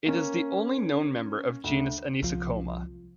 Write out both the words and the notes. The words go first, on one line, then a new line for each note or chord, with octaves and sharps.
It is the only known member of genus Anisocoma.
A#3 C#4
D2
C2 F3